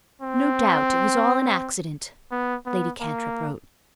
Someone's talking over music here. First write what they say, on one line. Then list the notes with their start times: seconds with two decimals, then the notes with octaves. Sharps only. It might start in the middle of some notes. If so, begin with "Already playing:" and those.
"No doubt it was all an accident," Lady Cantrip wrote.
0.21 C4
2.31 B3
2.66 B3
3.00 A#3